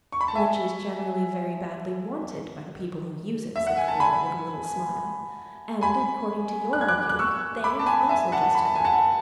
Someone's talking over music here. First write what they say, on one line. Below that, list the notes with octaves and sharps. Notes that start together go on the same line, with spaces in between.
"Which is generally very badly wanted by the people who use it," said the girl, with a little smile, "and, according to your argument, they are also justified."
C#6
B5
A5
E5 G#5
E5
F#5
G#5
A5
G#5 B5
G#5 B5
F#6
G#6
D6 F#6
F#6
C#6 E6
B5 D6
A5
G#5 B5
E5 G#5
F#5 A5
B5
A5
G#5
F#5 A5